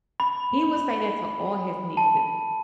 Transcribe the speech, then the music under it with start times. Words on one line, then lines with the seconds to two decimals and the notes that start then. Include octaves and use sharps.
He would say that to all his nieces.
0.20 B5
1.97 A5